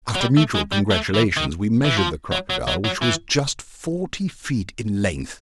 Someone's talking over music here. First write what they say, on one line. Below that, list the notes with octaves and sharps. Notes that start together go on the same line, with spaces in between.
After mutual congratulations, we measured the crocodile, which was just forty feet in length.
F#3
G3
A3
G#3
G3
A3
E3
D#3
E3
F3
F#3
F#3
F#3
F#3
E3